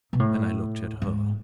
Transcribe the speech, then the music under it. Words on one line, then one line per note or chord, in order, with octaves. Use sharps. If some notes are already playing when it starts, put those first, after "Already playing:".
Then I looked at her.
B2
A2
G#2